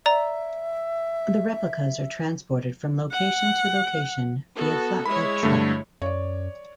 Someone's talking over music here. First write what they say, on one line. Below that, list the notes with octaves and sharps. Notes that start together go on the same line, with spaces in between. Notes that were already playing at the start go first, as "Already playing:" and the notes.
The replicas are transported from location to location via flatbed truck.
D5 E5 A#5
F#5
B3 F#4 A4
G#3 E4 C#5 B5
G2 D3 A3
F#2 C#5 D5